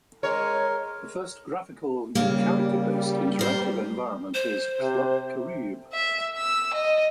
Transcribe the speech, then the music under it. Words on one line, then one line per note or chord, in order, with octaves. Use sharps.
The first graphical character-based interactive environment is "Club Caribe".
G#3 A#4 C#5
C#3 G3 A#3
A#4 C5
C5
C3
E5
E6
D#5